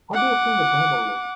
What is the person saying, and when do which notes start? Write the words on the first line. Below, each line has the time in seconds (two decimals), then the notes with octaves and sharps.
How do you think the table looks?
0.13 F#5 D6